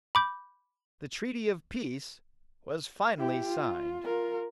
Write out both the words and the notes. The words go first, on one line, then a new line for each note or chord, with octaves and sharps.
The treaty of peace was finally signed.
B5 D6 G6
E4 G4
F4
F4 A#4